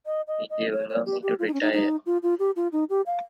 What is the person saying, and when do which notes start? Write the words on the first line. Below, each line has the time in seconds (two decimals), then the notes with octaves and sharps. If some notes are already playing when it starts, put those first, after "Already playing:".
Will you allow me to retire?
0.06 D#5
0.28 D#5
0.50 D#5
0.72 C#5
0.89 C#5
1.06 G4
1.23 G4
1.39 F4
1.47 D#4
1.54 C#4
1.61 D#4
1.73 D#4
2.06 F4
2.23 F4
2.39 G4
2.56 F4
2.73 D#4
2.90 G4
3.06 F5